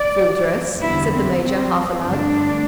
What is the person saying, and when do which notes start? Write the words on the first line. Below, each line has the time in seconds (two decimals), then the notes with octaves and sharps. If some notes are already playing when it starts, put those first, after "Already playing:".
"Full dress?" said the major, half aloud.
Already playing: D5
0.80 E2 D3 G3 B3 E4
1.12 C4
1.43 C4
2.04 G2 D3 A3 D4